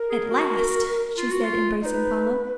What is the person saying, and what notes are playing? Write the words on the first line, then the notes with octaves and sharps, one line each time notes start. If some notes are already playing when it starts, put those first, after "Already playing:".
"At last," she said, embracing Paula.
Already playing: A#4
G#4
F#4
F4
F#4
F4
D#4 B4 D#5